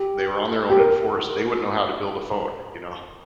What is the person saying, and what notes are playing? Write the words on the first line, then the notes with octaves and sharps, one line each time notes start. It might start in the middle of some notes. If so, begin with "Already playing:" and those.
they were on their own in a forest, they wouldn't know how to build a phone, you know?
Already playing: G4
G4
A#4